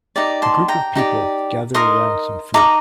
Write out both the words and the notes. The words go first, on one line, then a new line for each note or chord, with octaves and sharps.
A group of people gather around some food.
D#4 G4 D5
A5 C6
G5 A#5
D#4 G4 D5
D#4 A#4 D#5 C6 D#6
D#4 A#4 D#5 A#5 D6